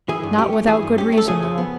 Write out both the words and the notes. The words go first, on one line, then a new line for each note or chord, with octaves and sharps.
Not without good reason, though.
E3 G#4
G2
C#4 G4
A3
E3 G#4
G2
C#4 G4
A3
A4
C#3 G#4
F2
B3